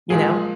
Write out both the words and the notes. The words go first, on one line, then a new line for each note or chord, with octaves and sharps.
You know?
A#2 F3 G#3 G#4